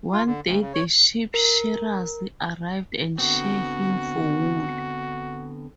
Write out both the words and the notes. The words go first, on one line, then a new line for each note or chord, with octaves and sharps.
One day the sheep-shearers arrive and shear him for wool.
F4
D3
D2
C#3
C#5
A#4
D3 B3 C4 F#4